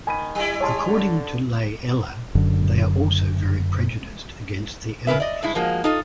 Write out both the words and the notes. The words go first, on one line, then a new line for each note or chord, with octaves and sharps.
According to Lei'ella, they are also very prejudiced against the elves.
D#3 G#5 B5 D#7
G3 E4
G#4 C#5 A5 C6
D3
F#1 F#2 D3
C#3 A#4 B4 E5
D5 D#5
G2 G#3 E4
F3 G#3 A#3 F#4
D#4 F4 A4 D#5